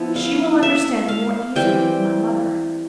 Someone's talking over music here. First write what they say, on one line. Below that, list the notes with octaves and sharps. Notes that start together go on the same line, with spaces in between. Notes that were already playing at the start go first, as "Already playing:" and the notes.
She will understand more easily than my mother.
Already playing: F3 B3 E4
F5
E5
F5
E3 G3 C4 G5